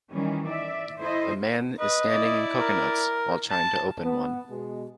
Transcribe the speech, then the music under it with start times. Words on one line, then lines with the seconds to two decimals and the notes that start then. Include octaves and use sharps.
A man is standing in coconuts while trying to open one.
0.11 D#3 E3 G3 C#4
0.48 D5 E5
0.99 E4 A4 C5 D#5
1.80 B4 D#5
2.12 E4 D5
2.60 A#4
3.51 A5
4.05 B3
4.51 B2 G#3